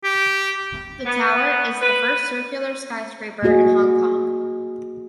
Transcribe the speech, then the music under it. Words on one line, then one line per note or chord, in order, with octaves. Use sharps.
The tower is the first circular skyscraper in Hong Kong.
G4
B3
B4
A3 A#3 F#4 G#4 D#5